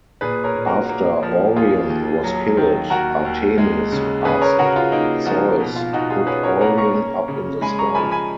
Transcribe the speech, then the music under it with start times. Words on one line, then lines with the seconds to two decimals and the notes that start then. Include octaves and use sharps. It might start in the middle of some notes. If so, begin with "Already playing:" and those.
After Orion was killed, Artemis asked Zeus to put Orion up in the sky.
0.21 A#2 G#4 B4
0.43 A#4 C#5
0.55 A#2
0.66 F#4 A#4
0.89 A#3
1.23 F3
1.56 D#2 F4 G#4
1.90 D#2
2.24 F#3
2.57 D#3
2.90 D#2 F#4 A#4
3.25 D#2
3.58 G#3
3.92 C#3
4.25 C#3 G#4 B4
4.42 A#4 C#5
4.59 C#3 F#4 A#4
4.76 F4
4.92 A#3 D#4
5.26 F3 D#4 F#4
5.60 B2
5.76 F4
5.93 B2 D#4 F#4
6.10 F4 G#4
6.26 C#4 G#4 B4
6.43 A#4 C#5
6.61 A#3 F#5 A#5
6.78 A#5 C#6
6.94 C#4
7.28 C#3
7.61 G#3 G#5 B5
7.79 A#5 C#6
7.95 F3 G#5 B5
8.12 G#5 B5